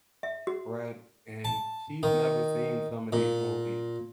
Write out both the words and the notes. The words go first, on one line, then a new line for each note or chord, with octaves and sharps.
E Right, and she's never seen some of these movies,
E5
F#4
A5
D#3
A#2